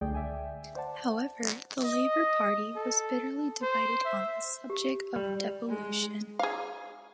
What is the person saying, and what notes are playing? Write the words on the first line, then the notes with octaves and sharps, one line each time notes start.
However, the Labour Party was bitterly divided on the subject of devolution.
C#2 D3 A3 G#4 D5 G5
D5 E5 G5 G#5
C5 D5 F#5 A5
D#5
A4
C5
E5
G4
G3
G#3
G#4 F5